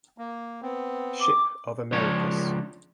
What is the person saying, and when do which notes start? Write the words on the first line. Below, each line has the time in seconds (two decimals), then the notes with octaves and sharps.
Shipp of Americus.
0.18 A#3
0.62 B3 C4
1.21 D6
1.93 C#2 F3 D4 C#5